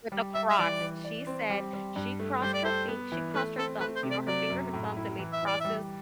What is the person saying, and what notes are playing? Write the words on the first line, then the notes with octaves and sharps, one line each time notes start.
with a cross. She said she crossed her fing she crossed her thumbs, you know, her finger, her thumbs, and made crosses
G3
G3 E5
E5
E3 D5
E3
D5
C4
G3
G3
G2
A3
G3 C5
D5
A4 C5
B3
E3
A3 B4
C4 A4
A3 B4
C5
C3
D5
F#3 D5
F#2
A2
E4
E3
E5
E3 D5
G3 E5